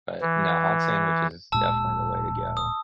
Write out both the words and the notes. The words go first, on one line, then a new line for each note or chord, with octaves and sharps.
but, no, hot sandwich is definitely the way to go.
E3
D1 A#2 G#3 A5 E6
D#6